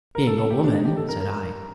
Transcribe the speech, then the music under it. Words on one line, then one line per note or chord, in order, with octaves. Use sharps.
"Being a woman," said I.
A#4
A4
A4
G4
D4
D#4
G4
A4
A#4
A#4